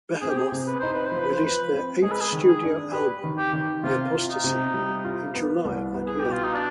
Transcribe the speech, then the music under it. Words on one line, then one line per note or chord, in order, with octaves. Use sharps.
Behemoth released their eighth studio album "The Apostasy" in July of that year.
C4 G#4
G4
G#4
C3
B4
D#4 C5
B4
C5
F3
B4
C5
F3 B4
C4
G#3 G#4
B4
G#4
D#3
G#4
D4
G4 B4
D#3
G4
D#3
C3 F4
F4
D#4
C3
G3
F4
B3
C2
B3
G#4
B2 G4
F4
D#4
D4